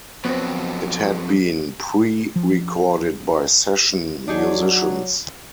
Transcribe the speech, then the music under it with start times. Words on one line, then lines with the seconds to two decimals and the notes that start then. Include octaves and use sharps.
It had been pre-recorded by session musicians.
0.25 F2 F#3 B3 C4
2.36 F3
4.28 F#3 D4 D#4 G#4